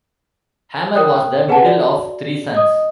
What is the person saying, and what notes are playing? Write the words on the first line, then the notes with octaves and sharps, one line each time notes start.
Hammer was the middle of three sons.
A#4 G5 D#6 F#6
G#4 B4 F#5 G#5 A5
F#4 D5
D#5 D#6